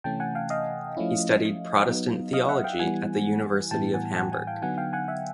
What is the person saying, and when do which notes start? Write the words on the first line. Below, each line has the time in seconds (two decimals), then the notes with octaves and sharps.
He studied Protestant theology at the University of Hamburg.
0.04 C3 E3 A3 C#4 G5 A5
0.20 F#5 G#5
0.35 F5 G5
0.50 D#5 F5
0.97 F3 A3 C#4 E4
1.88 F#3 B3 D#4
2.33 D#5 F5
2.49 E5 F#5
2.64 F5 G5
2.79 E3 G3 B3 E4 F#5 G#5
3.71 A2 E3 G3 B3 E4 G5 A5
3.94 F#5 G#5
4.16 F#5 G#5
4.32 F#5 G#5
4.47 F5 G5
4.62 D3 F#3 B3 D#4 F#5 G#5
4.78 F5 G5
4.93 F#5 G#5
5.08 E5 F#5